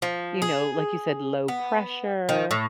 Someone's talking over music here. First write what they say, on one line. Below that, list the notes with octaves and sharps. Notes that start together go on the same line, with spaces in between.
you know, like you said, low pressure,
F3
G#4
B3
D#3
A2